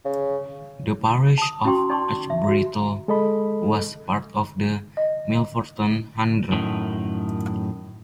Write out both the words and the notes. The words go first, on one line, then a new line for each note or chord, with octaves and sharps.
The parish of Ashbrittle was part of the Milverton Hundred.
C#3
A5 D#6
C#4 E4 F#4 G5 C6 C#6
D#4 D5 A5 C6 C#6
E5
F#4 E5
G#3 A4 D#5 B5
D#5
F#2 A2 D#3